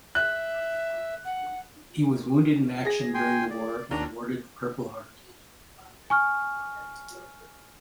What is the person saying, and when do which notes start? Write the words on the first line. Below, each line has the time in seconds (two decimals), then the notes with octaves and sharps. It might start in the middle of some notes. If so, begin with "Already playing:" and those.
He was wounded in action during the war and awarded the Purple Heart.
0.15 E5 F#6
1.25 F#5
2.85 G#4 A#6
3.14 G5 G#5 C6
3.50 D5
3.91 D#2 D4 A#5
6.10 G#5 C#6 F6